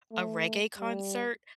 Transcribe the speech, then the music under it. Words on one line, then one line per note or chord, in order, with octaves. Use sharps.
a reggae concert,
A3
G3